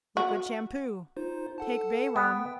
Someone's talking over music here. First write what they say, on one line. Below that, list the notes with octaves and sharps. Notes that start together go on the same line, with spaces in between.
Liquid Shampoo.--Take bay rum.
F#4
D#4 F4 C5
A4 F#5 A5
B3 G5